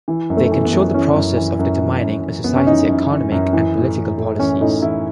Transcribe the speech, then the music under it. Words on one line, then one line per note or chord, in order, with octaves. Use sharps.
They control the process of determining a society's economic and political policies.
E3
F#2
A3
E3
B3
F#2
E3 C#4
F#2
E3
F#2
E3
F#2
E3
F#2 B3
C#4
E3 D#4
F#2
E3
F#2
E3
A2
E3
A2
E3 C#4
A2 D#4
E3 E4